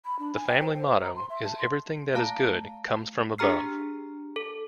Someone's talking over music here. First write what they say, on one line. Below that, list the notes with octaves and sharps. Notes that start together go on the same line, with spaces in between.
The family motto is 'Everything that is good comes from above'.
B5
D4
G#5
G5
C5
C5
C5
A#5
C6
E5
A5
C6
A3 F5 A5 A#5
D4 G4 G#4 A#5 F6 C7
A4